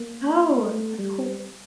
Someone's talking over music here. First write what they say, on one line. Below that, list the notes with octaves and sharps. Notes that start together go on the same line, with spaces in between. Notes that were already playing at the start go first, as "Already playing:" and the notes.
Oh, that's cool.
Already playing: A#3
A3
G3